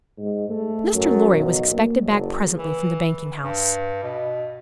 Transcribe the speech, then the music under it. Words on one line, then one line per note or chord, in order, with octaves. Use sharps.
Mr. Lorry was expected back presently from the Banking House.
G#2
A3
F#2
B1
A#3
F#1
E3
G2
B2